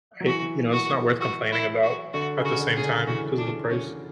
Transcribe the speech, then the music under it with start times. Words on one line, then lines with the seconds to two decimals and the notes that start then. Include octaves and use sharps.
I you know, it's not worth complaining about at the same time 'cause of the price.
0.20 F#3
0.27 E3 F#4
0.73 F#4
1.21 F#4
1.52 E4
1.83 F#4
2.14 D3 F#4
2.37 C#3
2.45 F#4
2.60 D3
2.76 C#3 G#4
2.84 D3
3.07 E3 F#4
3.38 D4
3.70 C#4